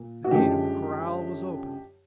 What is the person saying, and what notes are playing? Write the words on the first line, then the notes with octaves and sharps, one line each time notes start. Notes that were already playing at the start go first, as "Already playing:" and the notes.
The gate of the corral was opened.
Already playing: A#2
F#4
F#2 D3 F3 G#3 G4